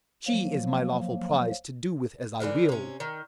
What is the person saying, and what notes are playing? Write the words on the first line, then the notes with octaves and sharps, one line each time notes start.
She is my lawful prize to do with as I will.
F3 F#3 A#3
D3 E3 G#3 A#4
C3 C#4
D#3